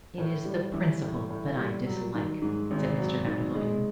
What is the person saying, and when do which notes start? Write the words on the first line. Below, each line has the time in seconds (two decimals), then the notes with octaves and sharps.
"It is the principle that I dislike," said Mr. van der Luyden.
0.18 A2
0.45 G3
0.73 E3
1.02 A2
1.30 A2
1.57 G3
1.86 F#3
2.14 D#3
2.41 G#2
2.71 G#1
2.99 F#3
3.26 D#3
3.55 G#3